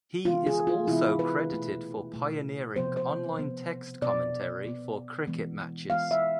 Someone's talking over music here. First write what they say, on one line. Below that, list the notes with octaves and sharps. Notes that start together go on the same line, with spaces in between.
He is also credited for pioneering online text commentary for cricket matches.
C3 E3 G#3 B3 F4
G#4
F4
C3 E3 G#3 B3 E4
B4
B2 A3
B2 A3
C3 F3 B3 C5
C5
C3 F3 B3
B2 B3 D5
B2 B3
E3 G#3 B3
E3 G#3 B3 F5
E5